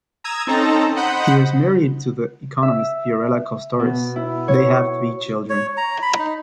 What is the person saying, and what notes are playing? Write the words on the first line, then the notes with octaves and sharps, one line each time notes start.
He was married to the economist Fiorella Kostoris; they have three children.
A#5 D#6 E6 G#6
C4 C#4 D#4 A4 A5 A#5
C5 D#5 F#5 B5 G6
E5
B2
E4
C#5
C#5
A#5
B5
D#4